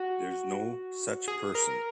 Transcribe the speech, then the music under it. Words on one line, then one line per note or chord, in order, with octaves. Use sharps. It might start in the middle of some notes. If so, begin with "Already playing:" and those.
There's no such person.
Already playing: F#4
G#4
A#4